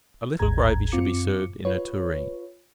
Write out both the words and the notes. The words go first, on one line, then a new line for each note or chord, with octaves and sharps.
A little gravy should be served in a tureen.
G1 D2 G#2 G#4 A#5 G#6
F#2 C4 F4 D6 C#7
F4 B4 C#5